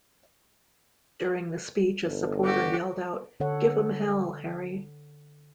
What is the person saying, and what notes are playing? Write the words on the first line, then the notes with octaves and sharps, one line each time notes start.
During the speech a supporter yelled out "Give 'em Hell, Harry!".
G1
F#4 G4
D3 A4 C#5 F#5